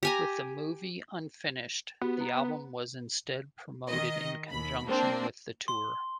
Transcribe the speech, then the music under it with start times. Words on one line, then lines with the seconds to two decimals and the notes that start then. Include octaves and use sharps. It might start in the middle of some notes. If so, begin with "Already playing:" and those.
With the movie unfinished, the album was instead promoted in conjunction with the tour.
0.03 G4 G#5 A#5
2.02 B3 F#4 G4
2.18 B4 A#5
3.89 D#3 D#5
4.50 D#2 B5
4.87 A#3 C4 D4
5.68 C6